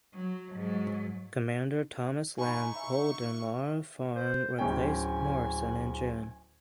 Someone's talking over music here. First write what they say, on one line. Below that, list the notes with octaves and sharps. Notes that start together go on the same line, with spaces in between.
Commander Thomas Lamb Polden Laugharne replaced Morrison in June.
F#3
G#2 F#3
D#4 G#5 B5 C#6
E5
C5
D1 C#4 G5 G#5